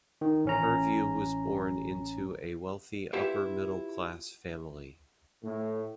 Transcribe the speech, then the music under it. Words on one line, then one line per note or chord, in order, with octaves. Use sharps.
Hervieu was born into a wealthy upper-middle-class family.
D#3
A1 C#4 A#5
E4 F4 G4 B4 E5
A2